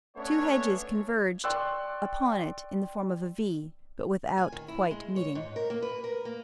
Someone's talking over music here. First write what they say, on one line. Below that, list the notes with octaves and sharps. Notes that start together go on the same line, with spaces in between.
Two hedges converged upon it in the form of a V, but without quite meeting.
A3 B3 C#4 D4 C#5
D5 G5 C6 C#6 E6 F#6
G#5
D#3
E4
G#3
C#5
G#2
A#4
A#3
B4
A#4
A#3